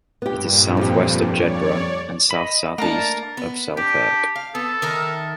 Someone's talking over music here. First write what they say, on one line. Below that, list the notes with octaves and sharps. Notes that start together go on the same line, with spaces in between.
It is south-west of Jedburgh and south-southeast of Selkirk.
G2 A#2 B3 G4
F2 G4
C#5 D5
D#5 B5
A3 A#3 D4 A#4 A5 A#5
B3
D4 G4
F5
B3 A4
D#3 A#4 E5